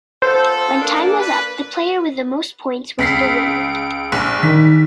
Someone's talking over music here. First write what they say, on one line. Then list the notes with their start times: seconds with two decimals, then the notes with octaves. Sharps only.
When time was up, the player with the most points was the winner.
0.22 B3 F4 A4 C5
0.82 A#3 D4
1.19 B4
2.99 C#2 B6 C7 D7
4.12 A#1
4.43 D#3 B6